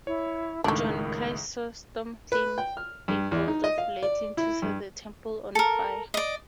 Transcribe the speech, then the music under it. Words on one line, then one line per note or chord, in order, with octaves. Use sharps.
John Chrysostom claimed a bolt of lightning set the temple on fire.
E4 C#5
C#2 A2 D#3 A3 D4 A#4
B4
G5
F6
G2
E2
D#4
D#5
F5
D5
E4
G2
A4 A#4
D5 D#5